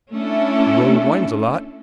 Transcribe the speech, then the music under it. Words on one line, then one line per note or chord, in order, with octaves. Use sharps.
The road winds a lot.
A3 C#4 D4 E4 A4